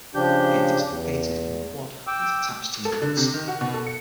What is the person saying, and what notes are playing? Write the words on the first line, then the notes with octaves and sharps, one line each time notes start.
It is located in the Quad and is attached to Mac's.
C#3 F3 D4 G4 G6
E2
G5 D6 E6
A4
D3
C3
D#3
F#4
B2
A4
C#7